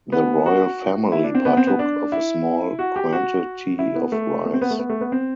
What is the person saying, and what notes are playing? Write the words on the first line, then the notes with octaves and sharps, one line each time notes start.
The royal family partook of a small quantity of rice.
B3
F#4
E4
D4
C4
B3
C4
B3
D4
E4
F#4
G4
F#4
E4
B3
A3
A3
C4
B3
A3
B3
A3
B3
C4